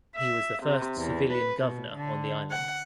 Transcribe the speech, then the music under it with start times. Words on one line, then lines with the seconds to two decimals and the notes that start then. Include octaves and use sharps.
He was the first civilian governor on the island.
0.17 E5
0.63 C3
0.97 E2
1.34 B4
1.63 B2
1.95 D3
2.50 F#5